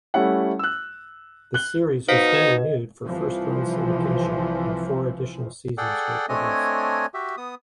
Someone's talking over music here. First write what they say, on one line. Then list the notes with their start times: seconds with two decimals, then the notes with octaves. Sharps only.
The series was then renewed for first-run syndication, and four additional seasons were produced.
0.14 G3 A3 C#4 E4 F#5
0.59 E6 F#6
1.54 F#6 G7
2.08 B2 D#4 C5 F5 B6
2.34 D#5
3.06 C2 E3 F3
5.78 G#4 A4 D5 F#5 G5
6.29 A3 C4 D4 C#5 D#5 G#5
7.14 F#4 G4 E5
7.37 B3 D#6